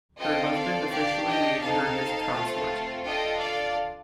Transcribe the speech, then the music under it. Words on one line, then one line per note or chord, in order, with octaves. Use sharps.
Her husband officially made her his consort.
C4 F4 A4 D#5 G5
D5 F5
D4 G4 D5 F5
D#5 G5
C4 D#4 A4 F5 A5
A3 C4 F4 A4
D4 F4 A4 D#5 G5
D5 F5